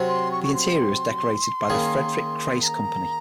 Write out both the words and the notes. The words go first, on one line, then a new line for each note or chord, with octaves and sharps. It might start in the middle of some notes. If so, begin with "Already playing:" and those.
The interior was decorated by the Frederick Crace Company.
Already playing: C3 F#3 C4
C6
C#6
C#6
C6
D#3 A#3 C#4 G#4
A#5